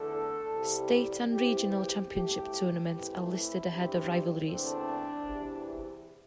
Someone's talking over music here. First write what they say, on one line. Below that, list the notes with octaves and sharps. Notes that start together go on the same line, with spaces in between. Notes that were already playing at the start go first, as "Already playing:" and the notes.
State and regional championship tournaments are listed ahead of rivalries.
Already playing: E2 D3 A3 A4
C2 C3 G3
E2 E3 C4 G4
G4
C2 C3 A3 G4
A2 E3 A3 C4 G4
E4
G2 G3 C4
E2 D3 A3 C4 D4
E2 C3 E3